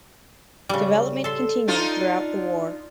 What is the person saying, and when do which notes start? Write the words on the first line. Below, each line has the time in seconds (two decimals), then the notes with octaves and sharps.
Development continued throughout the war.
0.69 C#3 G3
1.24 A4 C6
1.68 D4 D#4 F4